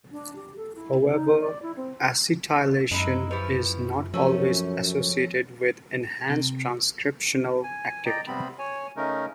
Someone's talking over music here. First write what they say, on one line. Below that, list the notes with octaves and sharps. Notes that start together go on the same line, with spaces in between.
However, acetylation is not always associated with enhanced transcriptional activity.
D4
G4
A4
E4
D#4
D5
E4
C4
F#2 G#3 D#4 E4
F3 E4 G4 B4
F#2 F3 A3 C#4 C#5
C3
G#5
D5 D#5 G5 A#5
C3 G3 B3 C4 B5
C#5 G#5
C#3 A3 C#4 D#4 A#4